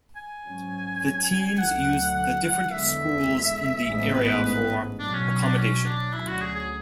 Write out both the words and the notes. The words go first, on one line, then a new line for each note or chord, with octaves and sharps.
The teams use the different schools in the area for accommodation.
G#5
G#2 F#3 C#4
D2 D3 F#3 F#5
F#5
F#5
E2 D3 G#3 E5
A1 G#2 G#3 B3 E5
B4
B4
B1 B2 F#3 D4
C#4
C#4
D4
C#4
D4
D2 D3 F#3 C#4 E4
F#4
G#4
G#4